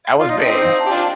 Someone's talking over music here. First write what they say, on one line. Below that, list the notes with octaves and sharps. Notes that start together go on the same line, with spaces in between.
That was big.
F4 D5
D#4
D4
C4 D#4 G5
G5
F5
A5
G4
D4 F4 G5